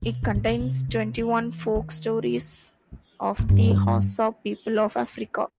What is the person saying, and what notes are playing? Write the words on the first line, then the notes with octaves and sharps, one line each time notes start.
It contains twenty-one folk-stories of the Hausa people of Africa.
B2
G2
A2
B2
C3
B2
E3
D#3
A2
G2